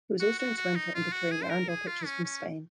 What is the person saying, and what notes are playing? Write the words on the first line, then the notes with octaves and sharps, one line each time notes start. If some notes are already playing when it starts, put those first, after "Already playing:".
He was also instrumental in procuring the Arundel pictures from Spain.
F#4
F#4
F#4
D#4
F4
F#4
G#4
C5
A#4
G#4
F4
C#4
C#4